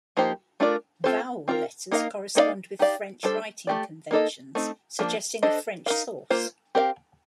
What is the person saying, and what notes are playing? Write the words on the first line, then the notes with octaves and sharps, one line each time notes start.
Vowel letters correspond with French writing conventions, suggesting a French source.
F3 A#3 D#4 G4 C5
A3 D4 F4 A#4 D5
C4 F4 A4 C5
C4 F4 A#4
A#3 D#4 A#4 F5
A#3 D#4 A#4 D5 F5
D#4 G4 D5 F5
G3 D4 A4 C5
A3 C4 G4 D5
A#3 D#4 A4 D#5
A3 C4 D#4
F3 A#3 D4
D4 A4 C5 D#5
D#4 A#4 F5
A#3 F4 C5
C4 G4 A#4 D5 F5